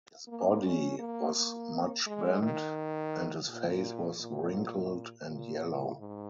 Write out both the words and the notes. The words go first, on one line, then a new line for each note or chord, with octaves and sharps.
His body was much bent, and his face was wrinkled and yellow.
A#3
C#4
A#3
A#3
G#3
D#3
A#2
A#2
A#2
G#2